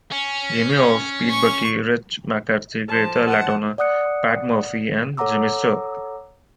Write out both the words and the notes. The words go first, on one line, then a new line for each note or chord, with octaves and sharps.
Jimmy Howes, Pete Bucky, Rich McCarthy, Greta Latona, Pat Murphy and Jimmy Sturr.
C#4
C#6
F3 A5
F#5
D5 F#5 D#6 F#6 C#7
A4 C#5 F#5 A#5 D6 E6